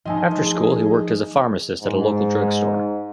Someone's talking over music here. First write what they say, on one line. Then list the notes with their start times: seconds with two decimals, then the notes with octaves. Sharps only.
After school, he worked as a pharmacist at a local drug store.
0.05 F3 A3 D#4 D#5 G#5
0.41 G#4
1.81 G#2